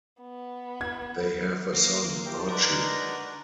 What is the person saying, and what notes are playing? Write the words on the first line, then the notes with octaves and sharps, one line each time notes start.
They have a son, Archie.
B3
G#6
A#3
E3 G4
A5
G#3 D4 D#4 F#4 A#4 B4 D5